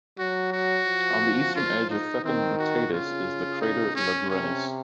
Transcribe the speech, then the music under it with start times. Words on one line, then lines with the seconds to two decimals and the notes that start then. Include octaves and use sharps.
On the eastern edge of Fecunditatis is the crater Langrenus.
0.19 F#3 F#4
0.52 F#4
0.87 F3
1.55 F4
1.90 D#4
2.24 D#3 C4
2.59 F#4
2.92 C#3 F4
3.61 D#4
3.95 C#4
4.29 C3 C#4